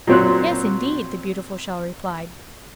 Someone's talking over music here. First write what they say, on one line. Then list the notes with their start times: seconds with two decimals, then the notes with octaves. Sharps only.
"Yes, indeed!" the beautiful shell replied.
0.07 A#2 F#3 C4 C#5 F#6